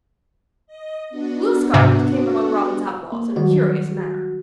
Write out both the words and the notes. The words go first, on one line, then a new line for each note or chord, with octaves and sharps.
Will Scarlet came among Robin's outlaws in a curious manner.
D#5
B3 D4 F#4
G#2 C3
A#3
D#3 F#3 G3 F#4